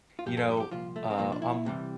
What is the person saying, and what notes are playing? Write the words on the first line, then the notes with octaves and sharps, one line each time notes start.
You know, uh, I'm
F4
G2 F3 G4
A4
G4
A4
G4
C2 A#2 F3 F4
A3
C4
C2 A#2 F3 A#3
D4
E4
C2 C3 E3 G3